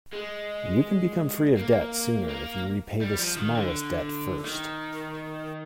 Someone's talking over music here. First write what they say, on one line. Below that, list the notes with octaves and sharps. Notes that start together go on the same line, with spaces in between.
You can become free of debt sooner if you repay the smallest debt first.
G#3
A#3
A#3
G3
F3
D#3
D3
D#3